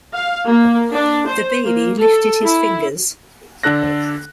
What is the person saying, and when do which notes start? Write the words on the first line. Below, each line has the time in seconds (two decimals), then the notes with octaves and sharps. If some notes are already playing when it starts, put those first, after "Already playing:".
The baby lifted his fingers.
0.14 F5
0.48 A#3
0.93 D4
1.27 C5
1.65 A#3
2.00 A4
2.43 E4
3.63 D3 D4 A4 F#6 A#6